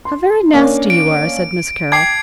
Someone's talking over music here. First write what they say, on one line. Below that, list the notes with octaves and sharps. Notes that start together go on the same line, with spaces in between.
"How very nasty you are!" said Miss Carroll.
C6
A#3 C#4 D4
D7
G5 A5 D6 G#6 C7